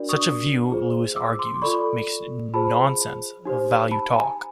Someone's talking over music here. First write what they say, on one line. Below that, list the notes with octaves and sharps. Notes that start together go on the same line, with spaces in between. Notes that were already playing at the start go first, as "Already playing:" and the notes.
Such a view, Lewis argues, makes nonsense of value talk.
Already playing: D4 F#4 A#4 D5
C#6 D#6
F4 G#4 C5
D6 E6
C6 D6
F4 A4 D5 B5 C#6
F4 G#4 C5 A5 B5
D#4 G4 C5
A5 B5
G#5 A#5